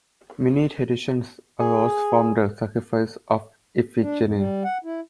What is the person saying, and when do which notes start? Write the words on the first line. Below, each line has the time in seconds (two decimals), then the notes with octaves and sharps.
Many traditions arose from the sacrifice of Iphigenia.
1.60 G#4
4.01 D4
4.21 F2
4.35 G3
4.64 F#5
4.84 E4